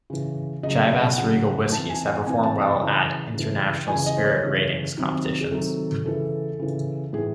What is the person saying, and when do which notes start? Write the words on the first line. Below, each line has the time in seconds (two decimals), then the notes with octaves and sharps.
Chivas Regal whiskies have performed well at international spirit ratings competitions.
0.10 C#3 E3
0.63 C#3 F#3 D#5
0.77 D#5
0.90 E5
1.03 F#5
1.18 C#3 F#3 F#5
1.72 C3 E3 A5
1.90 G#5
2.07 F#5
2.26 C3 E3 G#5
2.43 A5
2.61 A5
2.79 C#3 E3
3.34 C#3
3.39 E3
3.88 C#3 E3 G#5
4.06 D#5
4.17 C5
4.24 C#5
4.42 C#3 E3
4.97 C3 D#3 F#3
5.41 G#4
5.50 C3 D#3 F#3 A4
6.04 C#3 E3 A4
6.59 C#3 E3
7.13 A2 E3 G#4